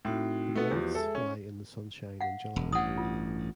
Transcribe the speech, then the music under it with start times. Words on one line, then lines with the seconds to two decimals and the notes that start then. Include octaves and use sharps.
The moths fly in the sunshine in July.
0.05 A2 C4 D#4 F#4
0.55 A3 B3
0.71 E2 F3 F#4 G4
0.95 G#3 G#4 A4 E5
1.15 C#4 C#6
2.21 F5 F#5
2.56 E1
2.72 A1 G2 F#5 D#6
2.98 F4